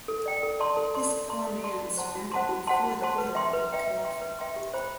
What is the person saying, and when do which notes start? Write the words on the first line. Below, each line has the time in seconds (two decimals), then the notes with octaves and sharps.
This poor man surrendered before the order of the Khilafah.
0.08 A4
0.26 D5 G5
0.43 A4
0.60 D5 A5 C6
0.77 A4
0.94 D5 A5 C6
1.12 A4
1.29 D5 A5 C6
1.47 A4
1.63 D5 A5 C6
1.81 F#4
1.97 C5 F#5 A5 C6
2.15 F#4
2.32 C5 F#5 A5 C6
2.49 F#4
2.67 C5 F#5 A5 C6
2.84 F#4
3.01 C5 F#5 A5 C6
3.18 B4
3.35 E5 G5 C6
3.53 B4
3.70 E5 G5 C6
3.88 B4
4.05 E5 G5 C6
4.21 B4
4.39 E5 G5 C6
4.56 G4
4.74 C5 G5 B5